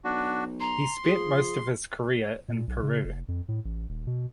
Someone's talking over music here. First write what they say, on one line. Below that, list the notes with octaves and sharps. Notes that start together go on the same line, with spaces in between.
He spent most of his career in Peru.
B1 D4 F#4
A#5 C6
F3 G#4
A#2
B1
C#3
F1
F2
A2
A1
D#1
B2